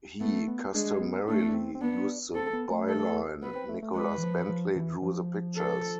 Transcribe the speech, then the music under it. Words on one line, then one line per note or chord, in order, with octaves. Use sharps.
He customarily used the byline "Nicolas Bentley drew the pictures".
A3 B3
B3
G#3 D4
B3
A3 D4
D4
C4
C4
B3 D4
C4 A4
B3
A3
A4
B3 B4
C4
A3
A3
G#3 B4
E3
F3
F3
E3
F3
A4